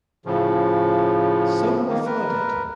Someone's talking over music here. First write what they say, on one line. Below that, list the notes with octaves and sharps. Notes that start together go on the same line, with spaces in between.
Some were flooded.
A2 C#3 F3
D#3 A#3
A#4 B4